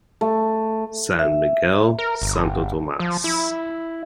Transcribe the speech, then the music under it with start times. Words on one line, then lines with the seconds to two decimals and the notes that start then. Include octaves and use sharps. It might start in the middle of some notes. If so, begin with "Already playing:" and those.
San Miguel, Santo Tomas.
0.21 A3
1.19 E5
1.99 A#4
2.22 G1
3.00 F3
3.24 E4